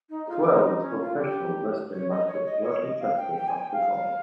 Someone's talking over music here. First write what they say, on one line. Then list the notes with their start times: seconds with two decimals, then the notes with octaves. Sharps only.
Twelve professional wrestling matches were contested at the card.
0.09 D#4
0.28 F4
0.46 D#4
0.64 D#4
0.82 C#4
1.00 F4
1.18 G4
1.91 C#5
2.10 D#5
2.27 C#5
2.45 D#5
2.63 C#5
2.82 D#5
3.00 F5
3.17 G5
3.36 G5
3.48 G#5
3.60 G5
3.73 F5